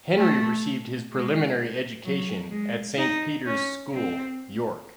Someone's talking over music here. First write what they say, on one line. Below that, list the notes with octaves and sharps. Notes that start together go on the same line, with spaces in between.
Henry received his preliminary education at Saint Peter's School, York.
A3
G#3
F#3
G#3
D#4
C#4
C4